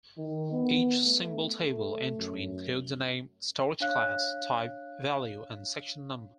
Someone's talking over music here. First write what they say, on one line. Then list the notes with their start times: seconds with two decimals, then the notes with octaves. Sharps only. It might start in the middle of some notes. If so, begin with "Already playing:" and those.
Each symbol table entry includes a name, storage class, type, value and section number.
0.17 D#3
0.52 B3
1.04 A3
1.60 A3
2.18 F#2
3.80 D4 C#5 F5 F#6